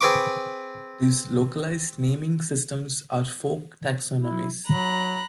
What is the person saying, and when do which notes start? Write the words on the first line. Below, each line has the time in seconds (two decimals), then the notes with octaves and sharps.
These localised naming systems are folk taxonomies.
0.01 C4 G#4 B4 B5 C#6 D6
4.18 E4
4.66 F#3 A#5 B5 F#6